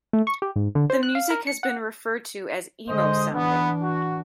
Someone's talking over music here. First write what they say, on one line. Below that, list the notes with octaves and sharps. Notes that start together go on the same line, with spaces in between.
The music has been referred to as Emo sounding.
A3
C#6
G4
G#2
D3
C5
F#6
F5
A#4
C#7
F#5
D3 G#3 C5 D#5
E3 B3 D4
F#4